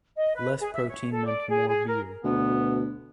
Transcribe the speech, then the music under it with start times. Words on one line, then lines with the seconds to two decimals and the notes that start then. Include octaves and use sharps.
Less protein meant more beer.
0.16 D#5
0.34 B4
0.61 G#4
0.73 E5
0.89 C#5
1.12 A4
1.26 D5
1.49 G#4
1.68 G#4
1.86 A#4
2.24 D2 B2 B3